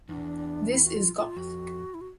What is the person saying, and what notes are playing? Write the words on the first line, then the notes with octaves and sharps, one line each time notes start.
This Is Goth!
E2 D4 D#4
E4
F#4
F4
F4
F2 F#4
E4
F#4